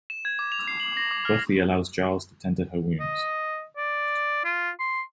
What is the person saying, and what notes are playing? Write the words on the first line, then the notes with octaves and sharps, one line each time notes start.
Buffy allows Giles to tend her wounds.
E7
G#6
D6
F7
C7
F#7
A#6
D6
F6
D#5
D5
F4
C6